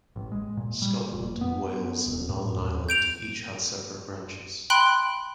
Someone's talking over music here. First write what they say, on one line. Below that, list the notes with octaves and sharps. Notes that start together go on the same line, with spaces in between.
Scotland, Wales and Northern Ireland each had separate branches.
A1
G#3
A#2
G3
F1
B3
E1
A2
D#2
G6 D7 F7
G5 B5 C6 F#6 D7 G7